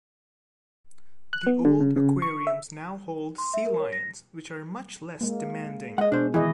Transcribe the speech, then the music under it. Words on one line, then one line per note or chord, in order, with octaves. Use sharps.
The old aquariums now hold sea lions, which are much less demanding.
F#6
B3
D3
C#3
C#3
C#6
E5
C6
E5
A#4
C#5
A#6
G#3 A#3
G#3 D#5 F#5
B2 D4 C5
D#3 E3 E4 G#4 D#5